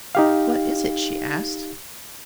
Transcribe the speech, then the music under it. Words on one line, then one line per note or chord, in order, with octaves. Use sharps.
"What is it?" she asked.
D#4 G4 F5